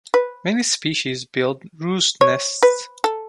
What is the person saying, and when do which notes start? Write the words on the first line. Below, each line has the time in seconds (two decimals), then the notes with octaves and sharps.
Many species build roost nests.
0.14 B4
2.21 C#5
2.62 B4
3.04 A4